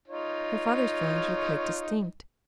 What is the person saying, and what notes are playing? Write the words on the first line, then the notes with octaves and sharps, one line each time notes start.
Her father's feelings were quite distinct.
D#4 F4 C#5